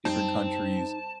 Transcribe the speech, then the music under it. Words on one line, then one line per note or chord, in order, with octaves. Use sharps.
different countries,
F#2 G3 C4 D#4 A5